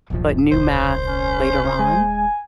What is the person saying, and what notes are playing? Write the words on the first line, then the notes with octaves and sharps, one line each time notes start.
but new math later on."
D#1 B1 G#2 F3
D#1 C2 D#4 C5
C#4
G#3 G#5